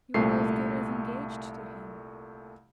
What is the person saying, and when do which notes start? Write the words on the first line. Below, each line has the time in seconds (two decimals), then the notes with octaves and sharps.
You are as good as engaged to him.
0.14 C2 A#2 A3 C7